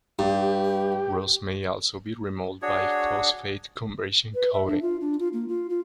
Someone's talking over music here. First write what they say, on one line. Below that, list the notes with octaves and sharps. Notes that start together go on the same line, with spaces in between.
Rust may also be removed by phosphate conversion coating.
G2 G4
D4 F#4 G#4 C#5
B4
E5
D4
F4
D4
F4
A#3
F4
F4